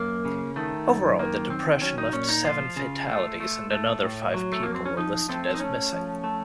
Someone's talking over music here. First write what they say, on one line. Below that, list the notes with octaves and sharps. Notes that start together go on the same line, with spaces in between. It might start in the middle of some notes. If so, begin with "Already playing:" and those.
Overall, the depression left seven fatalities and another five people were listed as missing.
Already playing: F#2 A#3
C#3
D#3 A3
F#2
D#3 A#3
D#3 C4
F#3 C#4
D#4
A#2 C#4
D#4
F3 F4
C#3
A3
A3
A3
A2
F#3
A3
F2 A#3
C4
C#4
F3 D#4
A3 C4
D#4
A3 C#4
F3
A3